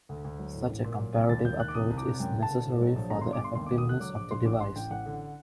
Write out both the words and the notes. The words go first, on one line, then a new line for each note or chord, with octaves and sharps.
Such a comparative approach is necessary for the effectiveness of the device.
D2
D2
F#3
A2
A1
A#2
F#3
C2
D#2 A6
D#2 G6
D#3 F#6
D6
C2 D#6
C2
D6
C2
F#2 G5
F#1
A5
D3
A2
F#3
A#1
G1 A#5
G2 C6
D6
G1 C6
D#2 C6
D#2 D6
D#6
D3 F#6
F#3 D6
A#1 D6
A#1 C6
A1 D6
A1 C6
A1 G5
A1 F#5
D3